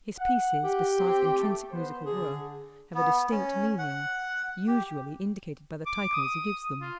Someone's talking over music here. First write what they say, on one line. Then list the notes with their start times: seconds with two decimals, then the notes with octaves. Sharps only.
His pieces, besides intrinsic musical worth, have a distinct meaning, usually indicated by the titles he gives them.
0.18 F#5
0.64 G4
0.99 C4
1.36 A3
1.72 B3 C5
2.06 D3 G#4
2.95 B3
3.31 C#4
3.79 F#5
4.68 G4
5.86 D6
6.13 D#6
6.81 F4